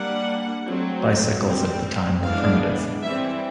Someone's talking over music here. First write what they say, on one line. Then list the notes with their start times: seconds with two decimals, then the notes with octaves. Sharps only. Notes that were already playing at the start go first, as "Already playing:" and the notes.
Bicycles of the time were primitive.
Already playing: G3 A#3 D4 F#5
0.65 F#3 A3 C4
1.45 G3 C4
2.23 E3 G#3 B3 D4 F5
3.03 E3 G3 C4 E5